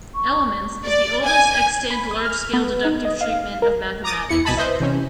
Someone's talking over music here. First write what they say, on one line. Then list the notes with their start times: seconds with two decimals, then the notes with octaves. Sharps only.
"Elements" is the oldest extant large-scale deductive treatment of mathematics.
0.15 C#6
0.85 D5
1.24 G#5
1.90 B5
2.11 D#6
2.25 F6
2.53 B3
2.85 D#4
3.05 D#5
3.21 F5
3.62 A#4
4.04 A#5 D6 D#6 A6
4.29 E2 E4 C#7
4.45 C2 B2 D#5 G#5 A5 B5
4.57 B4 C5 D#5 E5
4.80 C3 E3 C#4